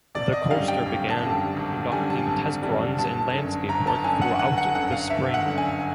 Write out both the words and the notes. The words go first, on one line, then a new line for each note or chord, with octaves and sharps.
The coaster began conducting test runs and landscape work throughout the spring.
G#1 D5
D#5
F#2 D3 G3 F5
G5
G#1
A5
F#2 D3 G3
G#1
F#2 D3 G3 G#5
A5
G#1
F#2 D3 G3
G1 A5
F#2 D3
G1 A#5
A5
F#2 D3 G#5
F#5
G1 F#5
F#5
F#2 D3 F#5
F5
G1 E5
F#5
F#2 D3
G#5